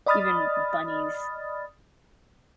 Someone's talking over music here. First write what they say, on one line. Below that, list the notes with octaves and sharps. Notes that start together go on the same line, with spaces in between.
even bunnies.
D5 D#5 B5 D#6 F6 A6